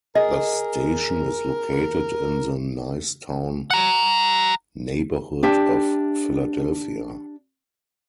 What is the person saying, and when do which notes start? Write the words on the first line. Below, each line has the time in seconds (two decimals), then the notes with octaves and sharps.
The station is located in the Nicetown neighborhood of Philadelphia.
0.15 G#4 A#4 D#5
3.70 F#5 A#5
5.43 D4 G4 E5